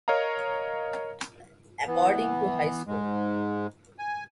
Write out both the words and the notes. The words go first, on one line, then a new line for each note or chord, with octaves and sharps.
According to High Score!
A#4 C#5 D#5 F5 A#5
E3 B3
G#2 G#3
G#5